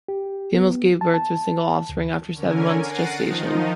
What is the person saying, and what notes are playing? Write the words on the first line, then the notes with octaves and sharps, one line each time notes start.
Females give birth to a single offspring after seven months' gestation.
G4
B3
A5
A5
D2
D3 C#4 A#4 G#5
F#5 A6 A#6 C7 D7 D#7
D#3 F3 D#4